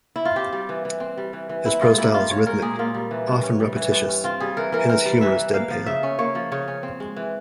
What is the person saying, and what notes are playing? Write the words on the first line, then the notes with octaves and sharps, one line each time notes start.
His prose style is rhythmic, often repetitious, and his humour is deadpan.
E4
F4
C4 G4
G3
E3
E3
C4
G3
E3
E3
C4 E4
G#3 F4
A#2 E4
A#2 F4
C4 C#5
G#3 A#4
A#2 G#4
A#2 F4
G3
E3
G2
C#4
G3
E3
G2
C#4
C4 F4
G3 G#4
E3 A#4
E3 A#4
C4 A#4
G3
E3 E5
E3
A#3 F5
F3
C#3 E5
C#4
A#3 C#5
F3
C#3 C#5
C#4
C4
G#3
E3